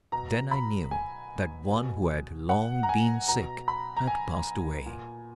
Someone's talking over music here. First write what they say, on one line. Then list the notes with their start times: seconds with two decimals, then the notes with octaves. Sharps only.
Then I knew that one who had long been sick had passed away.
0.12 B2 A#5
0.51 B5
0.91 G#5
1.70 B2
2.49 F#5
2.83 A#5
2.89 G#5
3.28 B2 A#5
3.68 B5
3.97 A#5
4.07 G#5
4.86 A#2